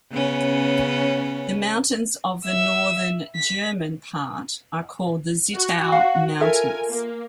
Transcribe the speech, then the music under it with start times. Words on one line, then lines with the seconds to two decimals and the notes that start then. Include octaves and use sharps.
The mountains of the northern, German, part are called the Zittau Mountains.
0.12 C#3 B3 C#4
2.45 E5 E6
3.36 B6
5.55 F#4
5.92 F5 F#5
6.40 F4 A4 A#4 E5 G#5
6.89 A#3